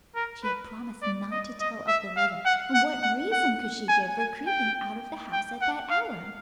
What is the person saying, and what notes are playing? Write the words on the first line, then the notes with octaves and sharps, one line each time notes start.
She had promised not to tell of the letter, and what reason could she give for creeping out of the house at that hour?
A#4
B4
D5
D#5
D#5
E5
F5
F#5
F#5
F#5
F#5
G#5
G#5
G5
G5
F#5
F5